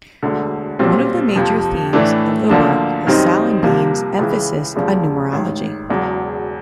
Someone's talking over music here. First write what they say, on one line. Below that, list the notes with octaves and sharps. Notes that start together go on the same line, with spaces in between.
One of the major themes of the work is Salimbene's emphasis on numerology.
E1 D2 D3
B1 A#2 G3 C4
F2 C3 F3
A2 E3 A3 D4
D2 D3 F3 A#3 D4
F#2 D#3 G3 C4 D#4
C2 C3 F3 A#3
C#2 C#3 E3
F1 E2 C#3 F3
A1 G#2 D#3
E1 E2 C#3 F#3